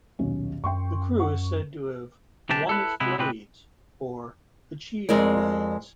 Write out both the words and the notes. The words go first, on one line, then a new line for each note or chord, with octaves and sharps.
The crew is said to have "won its blades", or achieved "blades".
D#1 B1 C#4
F#2 G5 C6 C#6
F#5 C#6
B1 C3 E3 D4 G4 A5
E4 A4 B4
C3 G#3 B3 E4
A2 C3 G#3 C4 G4 B4
F2 G#3 A#4 D5